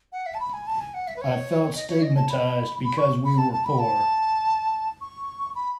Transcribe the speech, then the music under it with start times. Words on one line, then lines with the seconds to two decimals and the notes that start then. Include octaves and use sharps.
I felt stigmatized because we were poor.
0.12 F#5
0.26 E5
0.34 A5
0.40 B5
0.53 G#5
0.67 A5
0.80 G#5
0.94 F#5
1.07 E5
1.16 B4
1.21 C#5
1.76 D#5
1.89 C#5
2.03 D#5
2.16 A5
2.29 B5
2.84 B5
2.98 C#6
3.25 B5
3.38 A5
3.52 A5
3.65 B5
3.79 A5
5.01 C#6
5.55 B5